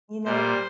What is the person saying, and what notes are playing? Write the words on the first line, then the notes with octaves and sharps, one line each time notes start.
You know it
A#2 G3 C5